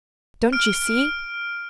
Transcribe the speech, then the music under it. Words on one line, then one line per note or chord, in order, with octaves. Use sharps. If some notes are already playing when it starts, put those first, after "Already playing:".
Don't you see?
F6 D7